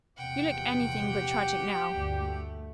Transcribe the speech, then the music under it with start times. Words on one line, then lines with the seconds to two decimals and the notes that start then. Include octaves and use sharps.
"You look anything but tragic now."
0.17 A#1 E2 C3 F#5 G5
1.03 G4
1.91 D2 G2
2.20 A3